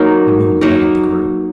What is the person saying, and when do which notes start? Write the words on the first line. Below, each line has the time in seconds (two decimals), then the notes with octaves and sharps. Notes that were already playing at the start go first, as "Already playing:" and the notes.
The moon lighted the group.
Already playing: F#3 A#3 D#4 A#4
0.61 F#3 A#3 D#4 A#4